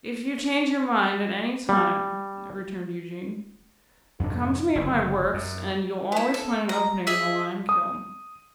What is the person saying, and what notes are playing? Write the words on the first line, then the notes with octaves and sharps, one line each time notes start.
'If you change your mind at any time,' returned Eugene, 'come to me at my works, and you'll always find an opening in the lime-kiln.'
G3
F2 G#2 C3 D4
F#1 D3
F#2
B3 E4
A4
A#5
G#4 D#5 E5
D#6